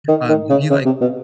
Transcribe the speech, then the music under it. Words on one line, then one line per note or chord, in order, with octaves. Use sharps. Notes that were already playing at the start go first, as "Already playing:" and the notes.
um, have you like
D#3
D#3
C#3
C#3
C3
B2